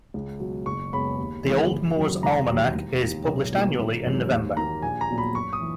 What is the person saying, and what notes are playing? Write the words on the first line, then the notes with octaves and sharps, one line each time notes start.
The "Old Moore's Almanac" is published annually in November.
C#2
B2 F#3
F#1 C#6
F#2 C#3 G#3 B3 B5
D#2
C#3 E3 G#3 B3
F#1
F#2 D#3 F#3
E1 A#5
D#2 D#3 F#3
E1
D#2 D#3
B1
B2 A#3
G#1
F#2 E3 G#3
D#2
D#3 F#3 A#3 A#5
A#1 G#5
A#5
A#2 F#3 B3
B5
F#2 C#6
D#6
E3